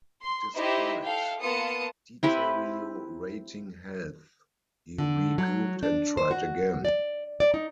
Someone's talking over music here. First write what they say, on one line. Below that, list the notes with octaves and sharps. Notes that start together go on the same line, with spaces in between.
Despite deteriorating health, he regrouped and tried again.
C6
D#4 E4 G4 C5 D#5 E5
A4 F5 G5
A#3 B3 F4 A5 D#6 C#7
C4 E4 G4 B4
D3
F#3
D4
C5
F#4
D5
D5
D#4